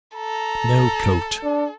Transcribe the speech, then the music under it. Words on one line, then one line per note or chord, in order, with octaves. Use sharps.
No coat!
A4 A#5
D4